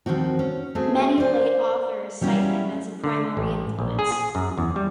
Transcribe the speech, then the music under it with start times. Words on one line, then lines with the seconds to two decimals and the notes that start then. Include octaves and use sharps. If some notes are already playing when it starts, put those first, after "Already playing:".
Many later authors cite him as a primary influence.
0.06 D#2 D#3 F3 C4 F#4
0.39 C#4
0.75 A3 C4 F#4 G#4 E5
1.18 C5 D5
2.21 F#3 G3 B3 C#4 E4
3.04 D3
3.37 A1
3.79 A#1
3.99 G#4
4.12 G#4
4.35 F#2
4.58 E2
4.76 G3